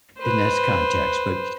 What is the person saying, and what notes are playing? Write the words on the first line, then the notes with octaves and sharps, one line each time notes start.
in this context, but
B4 C5